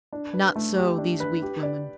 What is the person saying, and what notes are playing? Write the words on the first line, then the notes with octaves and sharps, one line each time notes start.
Not so these weak women.
D4
B4
A3
G4
D4
B4
G4
D5